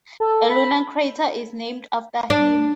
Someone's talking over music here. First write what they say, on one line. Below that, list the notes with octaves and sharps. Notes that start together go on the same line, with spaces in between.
A lunar crater is named after him.
A4
B5
D4